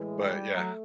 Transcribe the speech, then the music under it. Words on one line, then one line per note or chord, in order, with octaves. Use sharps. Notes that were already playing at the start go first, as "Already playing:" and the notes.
but, yeah.
Already playing: A2 E3 G#3
G3
F#3 A3